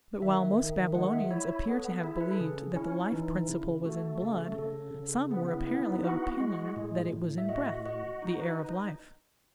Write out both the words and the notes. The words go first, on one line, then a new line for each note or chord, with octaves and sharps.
But while most Babylonians appear to have believed that the life principle was in blood, some were apparently of opinion that it was in breath--the air of life.
D#3 E5
D#3
G#3 F#5
E5
E4 C#5
C#5
B3 A4
E4 G#4
B4
A4
C#3 G#4
C#4 E4
E3 D#4
C#3 E4
A3 F#4
C#3
C#3 A4
C#3
B3 G#4
E4
B3 E4
D#4
E4 F#4
G#3
A2
A2
E5
F#4 D#5
F#4 D#5
D#4
B4